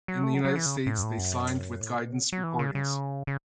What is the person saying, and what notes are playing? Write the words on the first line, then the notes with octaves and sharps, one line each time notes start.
In the United States, they signed with Guidance Recordings.
F#3
A3
F#3
F#3
E3
C#3
A2
F#2
A2
F#2
A2
B2
C#3
F#3
E3
C#3
C#3
C#3